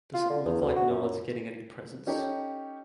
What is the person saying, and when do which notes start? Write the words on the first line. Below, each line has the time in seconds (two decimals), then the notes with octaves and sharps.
Does it look like no one's getting any presents?
0.14 F4
0.30 D3
0.45 E2
0.61 D2
0.76 F#4
0.90 F#2
2.06 C#4 D#4 G4 A4 C#5